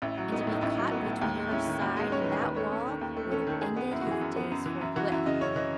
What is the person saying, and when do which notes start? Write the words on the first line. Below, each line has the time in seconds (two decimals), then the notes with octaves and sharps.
And to be caught between her side and that wall would have ended his days forthwith.
0.02 A1 E4
0.17 F#3
0.32 B3 D#4
0.42 E4
0.47 A2
0.52 D#4
0.61 A1 E4
0.77 F#3
0.92 B3
1.06 A2
1.22 D#2
1.36 G#3
1.51 C#4 E4
1.67 D#3
1.82 D#2 F#4
1.96 G#3 D#5
2.12 C#4 C#5
2.21 B4
2.27 D#3
2.32 G#4
2.41 D#2 B4
2.56 A3 C#5
2.72 C#4
2.87 D#3
3.01 D#2
3.17 A3
3.31 C#4 A4
3.47 D#3 A4
3.61 F#2 G#4
3.76 B3
3.91 F#2 E4
4.01 F#4
4.07 E3 G#4
4.21 F#2
4.36 B3
4.51 F#2
4.66 E3
4.81 F#2 E4
4.96 E3 F#4
5.12 F#2 E4
5.26 C#3 D#5
5.41 F#2 C#5
5.56 E3 D#5